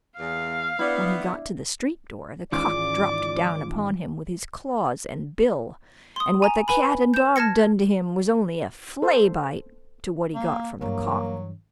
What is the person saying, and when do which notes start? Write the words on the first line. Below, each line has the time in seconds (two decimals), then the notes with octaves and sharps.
When he got to the street door, the cock dropped down upon him with his claws and bill, and what the cat and dog done to him was only a flay-bite to what he got from the cock.
0.19 E2 F5
0.79 B3 D4 E4
2.52 G#2 D#3 E3 C#4 F4 G#4 D5 D6
6.16 C6 D#6
6.42 G#5 A#5
6.68 B4 G#5 B5
7.14 G6 E7
7.36 A5 F6 G#6 A#6 C#7
9.02 A4 C5
10.34 A#3
10.81 G2 E3 F#3 A#3